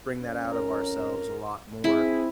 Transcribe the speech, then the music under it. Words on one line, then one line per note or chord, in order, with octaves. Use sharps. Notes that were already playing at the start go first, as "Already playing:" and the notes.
bring that out of ourselves a lot more,
F2 C#4
A#4
C4 E4 G#4